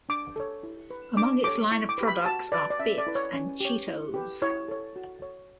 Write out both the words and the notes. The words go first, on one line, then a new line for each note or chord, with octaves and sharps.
Among its line of products are Bits and Cheetos.
D4 D6
A4 C#5
E4
B4
D4 D6
A4 C#5 D6
E4 C#6
D6
G4 B4
B5
F#4 A5
B4 D5
D5
C#4 E5
D5
E4 B4
C#5
C#4
G4 C#5
E4
G4 B4
E4 C#5
A4 C#5
F#4
C#5